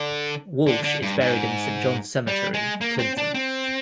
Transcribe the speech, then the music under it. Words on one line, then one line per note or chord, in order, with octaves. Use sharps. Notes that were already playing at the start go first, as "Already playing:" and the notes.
Walsh is buried in Saint John's Cemetery, Clinton.
Already playing: D3
D3
D3
G2
G#2
G3
G#3
A#3
C4
D4
C4